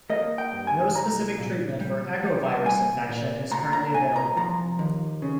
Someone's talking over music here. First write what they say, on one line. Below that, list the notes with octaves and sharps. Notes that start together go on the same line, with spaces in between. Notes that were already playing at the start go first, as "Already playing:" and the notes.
No specific treatment for echovirus infection is currently available.
A#3 D#5
G5
G2
G#5
C2 A#5
A#2
G3
G3
A#3 G#5
A#2
A#2 A#5
A#5
C2 G#5
A#5
F3 A#5
D#2
C#3